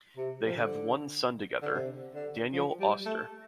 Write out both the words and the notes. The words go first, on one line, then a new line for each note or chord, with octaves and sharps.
They have one son together, Daniel Auster.
C3
F3
D3
D3
C3
D3
F3
G3
A3